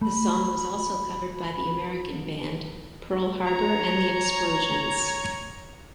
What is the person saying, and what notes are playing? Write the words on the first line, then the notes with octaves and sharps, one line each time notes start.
The song was also covered by the American band Pearl Harbor and the Explosions.
A3 B5
C#5 A#5